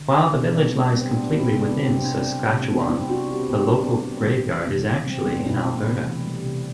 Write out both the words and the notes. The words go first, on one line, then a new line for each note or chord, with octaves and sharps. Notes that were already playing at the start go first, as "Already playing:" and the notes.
While the village lies completely within Saskatchewan, the local graveyard is actually in Alberta.
Already playing: D3
F#3
E4
B2 B3 D4
G3 C4
G3 B3
B3
G3 C4
G3 B3 D4
G3 C4 E4
C3 B3 D4
G3 C4
C3 C4
D4
C3
C4
G3
C3
C4
G3 B3 D4
G3 C4 E4
G3 D4 F#4
G3 E4 G4
C4
C3 B3
G3 D4
C4
B3
A3 C4
F#3
F#3
E3
C3
C3
G3 C4
G3 B3 D4
B2 C4 E4
A3
C3
E3
G3
C3